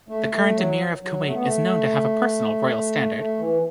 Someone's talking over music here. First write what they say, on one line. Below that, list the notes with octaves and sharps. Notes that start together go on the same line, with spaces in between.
The current Amir of Kuwait is known to have a personal royal standard.
A3
A3
F#3
F#3
A3
B3
A3
A3
E3